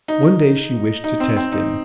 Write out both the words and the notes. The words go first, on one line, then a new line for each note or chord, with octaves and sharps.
One day she wished to test him.
D#4
D#4
C4
C4
D#4